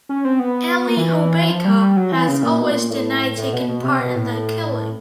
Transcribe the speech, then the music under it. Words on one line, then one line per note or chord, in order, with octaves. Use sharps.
Elie Hobeika has always denied taking part in the killing.
C#4
C4
B3
A#3
E3
E3
F3
G3
G3
F#3
E3
C#3
A#2
B2
A2
A#2
A2
A2
B2
B2
C3
B2
A2